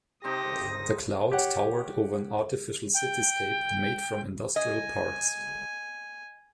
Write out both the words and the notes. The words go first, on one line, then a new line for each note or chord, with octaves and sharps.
The cloud towered over an artificial cityscape made from industrial parts.
C3 C4 D#4 G4 D#6 A#6
G4 C#5 F#5
G5
D#5 G#5